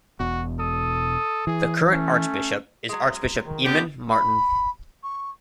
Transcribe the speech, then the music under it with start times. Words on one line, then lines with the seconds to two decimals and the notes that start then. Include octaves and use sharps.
The current Archbishop is Archbishop Eamon Martin.
0.20 E1 B2 F#4
0.59 A4 D#6
1.47 E3 G#4
1.92 A3 C#4
2.89 F#3 G#3
3.46 D#3
3.65 D3 G3 B3 G4
4.10 B5
5.03 C#6